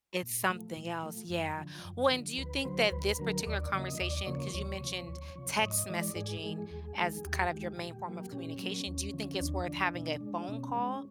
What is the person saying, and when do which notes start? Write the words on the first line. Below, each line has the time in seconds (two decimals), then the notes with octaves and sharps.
It's something else, yeah, well and do you think that this particular conversation 'cause you mentioned text messaging as kind of your main form of communication, do you think it's worth having a phone call
0.22 A#2
0.49 F3 A3
0.76 A#2
1.03 F3 A3
1.30 F#2
1.57 D3 F3
1.85 F#2
2.11 D3 F3
2.38 D2 B4
2.65 D3 F#3 C5
2.92 D2 B4
3.19 D3 F#3 A#4
3.46 D#2 D5
3.63 D5
3.73 C#3 F3 A#3 D#5
4.00 D#2 D5
4.27 C#3 F3 A#3 C#5
4.54 D2 C#5
4.81 C3 F3
5.08 D2
5.35 C3 F3
5.62 G#2 D#5
5.89 E3 G#3 D5
6.16 G#2 G#4
6.43 E3 G#3 G#4
6.71 D#2
6.96 D#3 G#3
7.24 D#2 G4
7.51 D#3 G#3
7.78 A#2
8.05 F#3 A#3
8.32 A#2 C#4
8.59 F#3 A#3
8.87 D#2
9.13 D3 F3
9.40 D#2 D4
9.67 D3 F3
9.95 B2
10.21 G#3
10.48 B2 C#4
10.75 G#3